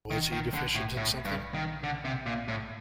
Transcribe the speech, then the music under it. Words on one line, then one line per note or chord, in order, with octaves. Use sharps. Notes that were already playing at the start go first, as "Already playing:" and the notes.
Was he deficient in something?
D#3
D#3
D3
A2
A2
G2
D#3
D3
C3
A#2
A2